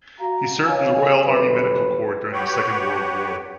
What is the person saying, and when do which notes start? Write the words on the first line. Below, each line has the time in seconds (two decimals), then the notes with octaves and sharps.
He served in the Royal Army Medical Corps during the Second World War.
0.20 F#4 F5 A#5
0.67 C#5 D#5 F5 G#5
1.25 G1 D#2 F#3 B4
2.33 F#4 G4 B4 C#5 F#5 G5